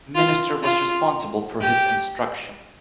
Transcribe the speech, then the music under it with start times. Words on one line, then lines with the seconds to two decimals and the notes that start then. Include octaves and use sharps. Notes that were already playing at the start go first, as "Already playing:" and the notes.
Minister was responsible for his instruction.
0.15 F4
0.63 F4
1.61 G4